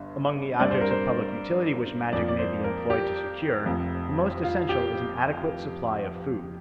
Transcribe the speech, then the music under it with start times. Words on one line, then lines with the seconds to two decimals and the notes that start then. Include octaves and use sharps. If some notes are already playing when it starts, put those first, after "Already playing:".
Among the objects of public utility which magic may be employed to secure, the most essential is an adequate supply of food.
Already playing: G1 G2
0.59 G2 G3 C4 D5
0.71 C5
0.81 A#4
0.91 C5
2.13 F2 F3 A#3 D5
2.28 D5
2.39 C5
2.64 A#4
2.90 G4
3.66 F1 F2 F3
4.43 F4
4.69 G4